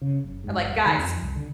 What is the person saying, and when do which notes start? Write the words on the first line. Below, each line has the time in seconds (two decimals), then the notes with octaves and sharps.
I'm like, "Guys,
0.01 C#3
0.24 F#1
0.44 G#2
0.58 G1
0.70 D#1
0.86 D#3
0.98 F2
1.21 C2
1.36 D3